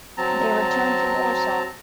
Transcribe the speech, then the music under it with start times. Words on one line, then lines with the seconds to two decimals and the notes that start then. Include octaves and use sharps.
They returned to Warsaw.
0.18 F#3 C4 A5 A#5